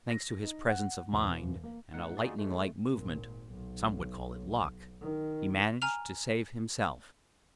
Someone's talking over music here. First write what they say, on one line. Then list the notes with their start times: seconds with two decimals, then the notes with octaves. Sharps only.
Thanks to his presence of mind and a lightning-like movement -- some would call it luck -- he managed to save himself.
0.11 A#6
0.43 D#4
0.69 F#5
1.12 E1
1.63 A#3
1.94 A2 D#4 F#5
2.17 D#4 F4 F#4 G#4 D5
2.38 G#3 A3
2.91 G#1 A#2
3.48 B1
5.01 D#3
5.82 G#5 A#5 F6 F7